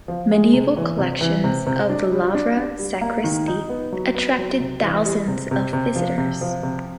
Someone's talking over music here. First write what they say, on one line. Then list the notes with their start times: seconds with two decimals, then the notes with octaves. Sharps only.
Medieval collections of the Lavra sacristy attracted thousands of visitors.
0.08 F3
0.31 G#3
0.53 C3
0.77 E3
0.98 C3
1.21 E3
1.44 C3
1.67 C3
1.90 D4
2.12 G3
2.35 D4
2.57 D4
2.79 G3
3.01 A#3
3.24 D#3
3.48 D#4
3.69 B3
3.92 F#3
4.15 B3
4.38 F#3
4.60 C3
4.82 E3
5.06 G3
5.28 C3
5.51 C3
5.73 C3
5.96 F3
6.18 C3
6.41 F3
6.63 C3